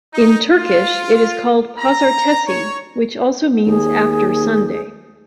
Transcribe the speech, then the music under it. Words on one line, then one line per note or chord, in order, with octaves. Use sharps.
In Turkish it is called "pazartesi", which also means "after Sunday".
D#4
F4
A#5
C#5
D#2 G#4